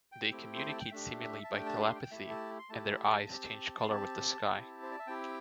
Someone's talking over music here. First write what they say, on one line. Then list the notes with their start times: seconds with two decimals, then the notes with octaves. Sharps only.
They communicate seemingly by telepathy, and their eyes change colour with the sky.
0.12 G5
0.32 A3 C4 E4 G4
0.56 C6
0.69 A5
0.80 G5
0.91 A3 D4 G4 E5
1.21 E5
1.44 A5
1.50 A3 D4 G4 G5
1.66 A5
1.81 C6
1.95 G5
2.11 A3 E4 G4 E5
2.30 A5
2.59 C6
2.70 A3 E4 G4 A5
3.29 C4 G4
3.81 C6
3.88 C4 G4 A5
4.48 C4 E4 G4
4.83 C5
4.91 D5
4.99 E5
5.07 C4 E4 G4 G5